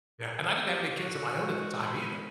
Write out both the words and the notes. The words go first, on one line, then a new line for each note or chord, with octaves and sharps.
Yeah, and I didn't have any kids of my own at the time either,
G4
F#4
E3 G#3
C5 B5